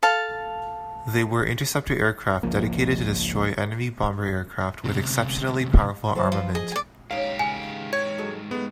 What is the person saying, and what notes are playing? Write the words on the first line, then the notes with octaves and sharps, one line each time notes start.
They were interceptor aircraft dedicated to destroy enemy bomber aircraft with exceptionally powerful armament.
A4 F5 A5
G#1 C#2 F3 A#3
D2 C3
E3 F#3 C5 A5
F3 F4
G#4 D#5
D5 G#5
G#2 C#4 D#4 G4 F5
C#3 G#5
C#5 G#6
F#3 G#3 A4
G#3 A3 B3